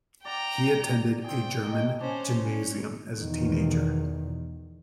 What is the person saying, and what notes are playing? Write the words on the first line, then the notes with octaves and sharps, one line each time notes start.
He attended a German gymnasium as a teenager.
D5 F#5 G5 A#5
C4 G#4 G5
D#3 D#5 G#5
C#4 D4 C5
C#4
E2 B2 D#3